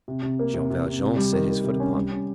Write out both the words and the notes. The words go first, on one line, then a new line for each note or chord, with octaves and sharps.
Jean Valjean set his foot upon it.
C3
C3
A#3
C3
C3
C3
C3
G3
D#3
D#3
C3
C#4
G3
C#4